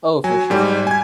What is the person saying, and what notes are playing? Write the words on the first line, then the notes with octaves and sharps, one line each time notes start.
Oh, for sure.
F#3 G#5
G#2 G3
G#5 G#6